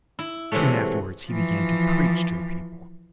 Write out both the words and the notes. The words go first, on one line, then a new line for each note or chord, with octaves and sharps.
Soon afterwards he began to preach to the people.
E4
C3 E3 F#3 G#3 A3
E3 F3